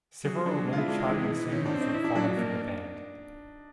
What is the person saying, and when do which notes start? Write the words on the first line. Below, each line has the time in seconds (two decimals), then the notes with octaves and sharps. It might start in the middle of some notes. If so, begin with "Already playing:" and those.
Several low-charting singles would follow for the band.
0.24 F#3 G#4
0.46 F#3 D4
0.67 G#3
0.73 F4
0.78 E4
0.88 G#3 D4
0.99 D#4
1.09 E3
1.31 E3
1.51 D#3 C#4
1.65 D4
1.73 C4
1.80 D#4
1.94 D#4 E4
2.04 D4
2.15 F#3 D4
2.26 D4
2.38 A#3